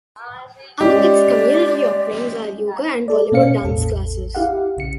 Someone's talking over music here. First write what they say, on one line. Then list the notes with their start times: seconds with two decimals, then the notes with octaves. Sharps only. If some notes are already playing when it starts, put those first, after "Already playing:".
Among its community offerings are yoga and Bollywood dance classes.
0.81 G#3 C#4 G4 D5
3.08 A4 D5
3.32 B2 A#3 C#4 F5 C#7
3.62 A1 E2 A4
4.35 E4 G4 F5 F#5
4.77 B1 C#3 C#7